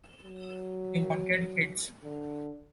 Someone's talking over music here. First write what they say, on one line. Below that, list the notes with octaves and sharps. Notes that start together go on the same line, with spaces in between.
They wanted hits.
F#3
D3